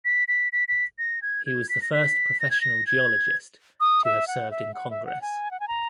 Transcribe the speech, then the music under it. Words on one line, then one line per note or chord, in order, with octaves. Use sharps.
He was the first professional geologist to have served in Congress.
B6
B6
B6
B6
A#6
G#6
G#6
B6
A#6
B6
A#6
G#6
A#6
G#6
D#6
E5
F#5
E5
F#5
E5
F#5
G#5
F#5
G#5
A#5